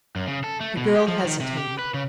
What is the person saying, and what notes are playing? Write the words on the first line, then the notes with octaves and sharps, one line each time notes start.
The girl hesitated.
F#2
C#3
A4
A3
B2
G4
F3
D#3
C3
G4
B4
C#3